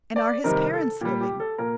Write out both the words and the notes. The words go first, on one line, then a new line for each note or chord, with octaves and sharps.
"And are his parents living?"
D5
C3 D#3 G3 A#4
A4
A#2 G3 G4
G4
A4
A#2 A#4